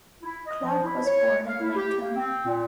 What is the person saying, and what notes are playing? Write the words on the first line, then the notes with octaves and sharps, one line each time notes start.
Clarke was born in Lincoln.
E4
D#5
F3
E4
C#5
F5
E4
G4
A#3
C4
A#2